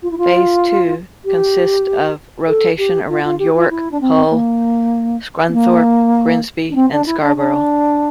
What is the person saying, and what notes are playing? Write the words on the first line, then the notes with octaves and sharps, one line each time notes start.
Phase two consists of rotation around York, Hull, Scunthorpe, Grimsby and Scarborough.
F4
E4
F4
G4
A4
G4
F4
F4
G4
F4
E4
D4
C4
A#3
C4
A#3
D4
C4
D4
E4
D4
D4